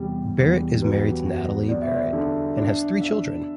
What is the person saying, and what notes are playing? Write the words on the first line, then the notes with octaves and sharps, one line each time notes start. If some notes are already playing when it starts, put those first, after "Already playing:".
Barrett is married to Natalie Barrett and has three children.
Already playing: E2 C3 G3
E2
F#3 B4
F#4
B3 D5
E5
D5
D3
D4
E5